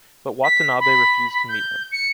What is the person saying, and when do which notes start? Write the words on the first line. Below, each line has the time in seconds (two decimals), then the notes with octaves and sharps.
But Watanabe refused to meet him.
0.44 B6
0.80 B5
1.49 G6
1.92 C#7